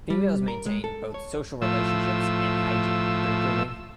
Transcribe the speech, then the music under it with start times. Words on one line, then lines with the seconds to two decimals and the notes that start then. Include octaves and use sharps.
Females maintain both social relationships and hygiene through grooming.
0.10 G3
0.48 A#4
0.66 G#3
0.84 A4
1.14 C#5
1.62 A2 F3 E6